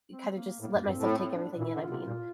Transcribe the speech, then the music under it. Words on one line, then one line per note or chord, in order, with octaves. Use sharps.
kinda just let myself take everything in, I mean.
C4
C4
A#3
A2 A#3
G2 A#3
G2 C4
A2
C4
C4
D4
D4
A#2 E4
D3
F4
C3
A#2